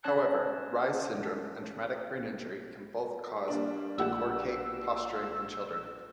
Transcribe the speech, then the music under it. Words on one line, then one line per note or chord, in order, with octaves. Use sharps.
However, Reye's syndrome and traumatic brain injury can both cause decorticate posturing in children.
C#4 C#5 A5 F#6
G3 A#3 D4
A#1 G4 F#5 E6